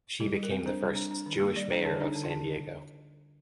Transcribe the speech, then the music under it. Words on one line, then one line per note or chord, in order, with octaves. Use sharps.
She became the first Jewish mayor of San Diego.
G3 G4
G3
A#4
C4
D4 C5
G3
D4
D4
D#3
A#3
G3 D5
D4 C5
D3 G#4
D4 D#4
D3
F4
D3